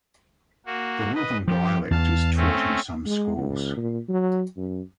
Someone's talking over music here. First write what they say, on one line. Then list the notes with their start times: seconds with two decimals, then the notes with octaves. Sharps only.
The northern dialect is taught in some schools.
0.66 A#3 F#4
1.15 B4 D#5
1.48 F3 G4
1.91 E2 F5 A5
2.36 A3 C4 C#4
3.06 G#3
3.37 C#2
3.77 A#2
4.09 F#3
4.57 F#2